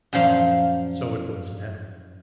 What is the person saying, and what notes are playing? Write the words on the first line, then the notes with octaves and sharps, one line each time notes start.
So it was now.
F#2 A#2 F3 F5